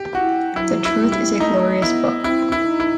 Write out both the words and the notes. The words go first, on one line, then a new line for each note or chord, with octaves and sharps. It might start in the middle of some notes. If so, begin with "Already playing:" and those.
The truth is a glorious book.
Already playing: G4
E4 F#4
F#3 E4
E4
G3
E4
A3 D#4
B3 E4
C4 E4
E4
D#4
E4